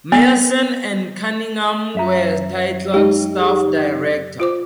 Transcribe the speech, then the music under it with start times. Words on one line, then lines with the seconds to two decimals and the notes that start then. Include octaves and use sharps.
Meyerson and Cunningham were titled "Staff Director".
0.12 B3
1.95 F#2 E5 A#5
2.94 G#3 D#4 G4
3.39 G#4
4.40 F4 C5 D6